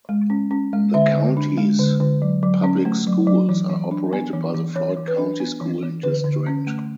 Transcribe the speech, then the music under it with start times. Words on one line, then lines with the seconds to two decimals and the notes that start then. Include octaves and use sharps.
The county's public schools are operated by the Floyd County School District.
0.09 G#3
0.30 C#4
0.51 C#4
0.73 G#3
0.94 D3 E5
1.15 D3
1.37 D4
1.57 G#3
1.79 D3
2.00 D3
2.22 F#3
2.43 F#3
2.64 C#4
2.85 A3
3.07 F#3
3.27 F#3
3.49 E3
3.69 E3
3.91 D4
4.13 B3
4.33 E3
4.55 E3
4.76 E3 C#5
4.97 E3
5.08 B4
5.18 D4
5.40 B3
5.61 E3
5.83 E3
6.03 D3 B4
6.24 D3
6.47 C#4
6.67 A3